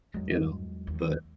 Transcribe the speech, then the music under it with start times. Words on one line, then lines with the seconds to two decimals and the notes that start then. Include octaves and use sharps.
you know, but
0.14 E2 G2 F#3 G#3
0.87 D#2